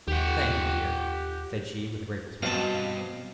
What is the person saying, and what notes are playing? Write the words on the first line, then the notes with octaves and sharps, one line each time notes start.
"Thank you, dear," said she, with a grateful smile.
D#2 G4 F#5
G2 B2 C4 C5 D#5 F5 A5